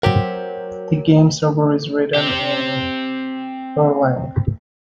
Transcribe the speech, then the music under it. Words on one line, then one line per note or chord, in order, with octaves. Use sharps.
The game server is written in Erlang.
F#3 C4 G4 A#4 C#5 F#5
C4 G4